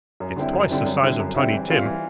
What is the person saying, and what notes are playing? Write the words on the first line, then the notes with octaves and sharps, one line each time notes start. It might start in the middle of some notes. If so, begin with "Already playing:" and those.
It's twice the size of Tiny Tim.
F#2
D3 G3 C4 E4
F#2
D3 G3 C4 E4
F#2
D3 G3 C4 E4
F#2
D3 G3 C4 E4
E3
G3 C4 F4
E3